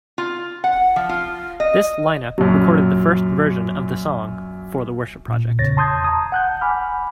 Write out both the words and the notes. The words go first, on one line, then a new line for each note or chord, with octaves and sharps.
This line-up recorded the first version of the song for "The Worship Project".
F4
F#5
F3
F4
D#5
F#2 A#2 F#3
A#2
E2 C#3 C#5 A6 A#6
A5 C6 D#6 G6 G#6
A5 A#5 D#6
F#5 F#6 G6
F#5 G#5 B5 D6 F6